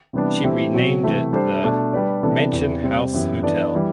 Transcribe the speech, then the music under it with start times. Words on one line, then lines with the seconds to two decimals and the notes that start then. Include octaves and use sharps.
She renamed it the "Mansion House Hotel".
0.13 C3 E3 G3 B3 D4
0.43 E3 A3 C4 E4 G4
0.73 B2 F#3 C4
1.03 C3 E3 A3
1.33 G3 D4 A4 C5
1.63 B2 A3 D4 A4
1.93 G3 D4 G4 B4 D5
2.23 C3 E3 B3 D4 A4
2.53 E2 C3 E3 B3
2.83 C3 G3 C4
3.13 F#2 E3 B3 E4 G4
3.43 E3 B3 D4 A4 D5
3.75 E3 G3